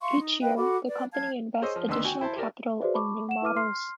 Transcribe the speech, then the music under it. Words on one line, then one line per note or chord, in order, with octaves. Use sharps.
Each year, the company invests additional capital in new models.
E5 F5 C6 C#6
D#4
B4 D#5 F5 G5
F#4 A4 B5 D6
B4 D5
F5 A5 G#6
G#4 C5 C#5 D#5 E6
F3
D2 D3 D#3 B3 C6 E6
F#4 G5 G#5
E4 C5 A5
G4 A#4 D5
F#4 G#4 B4 C5 D5 E5
A5 B5 C#6 D6
F#5 E7
E4 B4 E5 D6 F6 D#7
C6 F6 C7